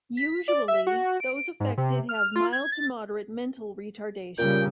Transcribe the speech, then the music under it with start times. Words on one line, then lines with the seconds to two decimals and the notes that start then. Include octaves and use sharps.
Usually those affected have mild to moderate mental retardation.
0.17 B6
0.48 D5
0.68 E5
0.87 F#4
1.20 D7
1.60 G#2
1.77 C3
2.09 F6
2.36 F4
2.53 G#6
2.72 A6
4.39 A#2 C#3 G3 G5